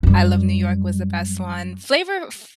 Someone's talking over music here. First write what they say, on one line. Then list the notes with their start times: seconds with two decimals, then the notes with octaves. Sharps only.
I Love New York was the best one. Flavor Fl
0.03 F#2 G3